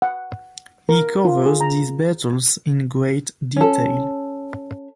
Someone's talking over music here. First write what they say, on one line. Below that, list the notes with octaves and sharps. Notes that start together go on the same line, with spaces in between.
He covers these battles in great detail.
F#5
A#4
F4
G#4
A#5
C#4 A4